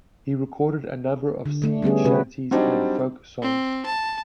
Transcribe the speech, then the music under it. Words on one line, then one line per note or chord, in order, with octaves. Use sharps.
He recorded a number of sea shanties and folk songs.
D3
D3 A3 D4
G3 B3 C#4 G#4
C3 C#4 F#4 B4
F#3 G3 C4 D4 D#4
C4
A5